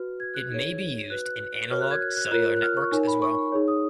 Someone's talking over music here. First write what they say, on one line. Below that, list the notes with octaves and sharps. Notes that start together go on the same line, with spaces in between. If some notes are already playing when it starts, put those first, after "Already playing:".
It may be used in analog cellular networks as well.
Already playing: F#4 B4 F6
G#6
F#6
D#4 G#4 C#5 G#6
F#4 B4 F#6
F#6
F#6
F#4 A#4 C#5 F6
F#6
G#6
F#6
F#6
F4 A#4 C#5 F#6
F#6
F6
C#6
D#4 A#4 C#5 G#5
B5
C#6
D#4 G#4 C#5
D#6